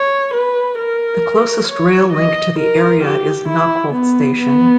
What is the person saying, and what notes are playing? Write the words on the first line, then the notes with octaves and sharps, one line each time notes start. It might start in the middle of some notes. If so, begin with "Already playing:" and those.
The closest rail link to the area is Knockholt station.
Already playing: C#5
B4
A#4
C#5
D#5
A#4
G4
E4
B3
B3